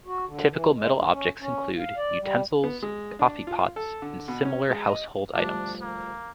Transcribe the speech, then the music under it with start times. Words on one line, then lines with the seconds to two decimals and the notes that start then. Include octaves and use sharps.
Typical metal objects include utensils, coffee pots, and similar household items.
0.06 F#4
0.25 D3
0.49 E3
0.74 G#3
0.90 G2
1.12 C#4
1.40 C#4
1.78 F5
1.97 D5
2.20 G3
2.64 B3
2.82 G#3
3.19 D4
3.47 F4
3.76 A4
4.02 D3
4.28 B2
4.45 C#4
4.70 G#3
4.89 D#5
5.35 D2 F3 G3 D4
5.82 A#3